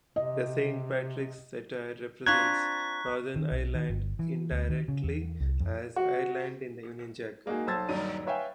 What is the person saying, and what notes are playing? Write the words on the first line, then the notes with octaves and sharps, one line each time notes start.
The Saint Patrick's Saltire represents Northern Ireland indirectly as Ireland in the Union Jack.
C3 D#5
C4 D4 F4 A#5 C#6 F#6 G#6 B6
D#3
B1
D#3
G1
E3
D2
D#3
C#3
E2
C2
F2
F#4
G#3 A#3 D#4 F#4 G#4
B1 C5 A5 E6 G#6 A6
D#1 G2 F#3 D#4 A#5 D#7
B4 C#5 E5 F5 G5 G#5